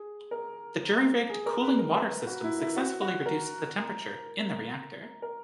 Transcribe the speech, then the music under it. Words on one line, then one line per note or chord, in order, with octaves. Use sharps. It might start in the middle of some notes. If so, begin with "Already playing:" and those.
The jury-rigged cooling water system successfully reduced the temperature in the reactor.
Already playing: G#4
A#4
G#4
A#4
B4
A#4
B4
F#4
E4
E4
F#4
F#4
A#4
A#4